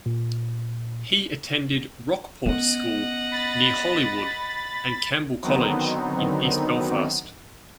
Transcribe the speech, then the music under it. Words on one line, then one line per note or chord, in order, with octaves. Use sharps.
He attended Rockport School near Holywood and Campbell College in east Belfast.
A#2
B3 C#4 D#5 F#5
B5 A6
D3 D#3 F#3 B3 C4 D#4